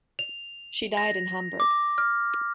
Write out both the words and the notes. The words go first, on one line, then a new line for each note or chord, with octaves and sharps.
She died in Hamburg.
F7
A#6
D6
F6